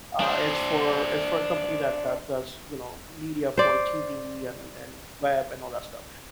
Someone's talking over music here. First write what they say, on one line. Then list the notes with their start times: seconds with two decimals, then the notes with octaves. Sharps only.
uh, it's for it's for a company that that does, you know, media for TV and and web and all that stuff,
0.20 D4 C5
3.57 C5 D5